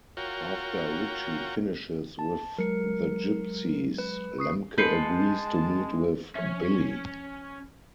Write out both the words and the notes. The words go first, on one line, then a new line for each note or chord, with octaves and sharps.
After Richie finishes with the Gypsies, Lemke agrees to meet with Billy.
F4 F#4 A#4 C#5 G5
A5
F#3 G#3 A#4 C#7
B4
C#6 D#6 C7
G#3 B4 A5 G6 C7 C#7
F3 C#4 C#5 E5